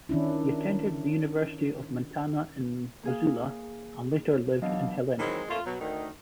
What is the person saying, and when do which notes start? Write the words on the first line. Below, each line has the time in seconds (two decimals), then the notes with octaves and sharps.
He attended the University of Montana in Missoula and later lived in Helena.
0.09 D#3 C#4 D4 E4
3.03 A#3 G#4 F5
4.62 B2 E3 F#3 D4 D#5 F5
5.19 D#3 E3 F#3 G#3 C4
5.49 F2 A#2 A3 F4
5.66 B2 F#3
5.80 D2 D#3